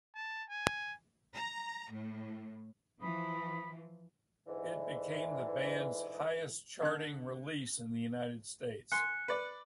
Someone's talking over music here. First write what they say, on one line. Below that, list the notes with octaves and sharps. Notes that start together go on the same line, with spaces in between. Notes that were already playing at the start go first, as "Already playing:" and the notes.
It became the band's highest-charting release in the United States.
A5
G#5
A#5
A2
E3 F3 B5 D#6
G#2 D3 E3
D3 F#6
G#5 C6 F#6 C#7
B4 D5